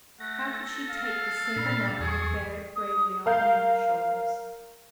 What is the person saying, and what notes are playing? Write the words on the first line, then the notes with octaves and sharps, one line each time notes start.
How could she take the sin of another and bear it bravely on her young shoulders?
A3 F#5 A#6
A4
F5
A#2 D4 B5
E2 G#4 C#6
D#6
A#4 F5 G6